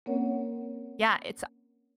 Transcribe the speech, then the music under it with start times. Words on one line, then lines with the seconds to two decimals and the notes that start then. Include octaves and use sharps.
yeah, it's
0.06 A#3 C4 C#4 A#4 C#5 F#5